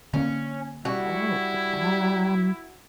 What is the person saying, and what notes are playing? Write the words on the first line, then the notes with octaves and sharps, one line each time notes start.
Oh, um
D3 A#3 C#4
G3 E4 F#4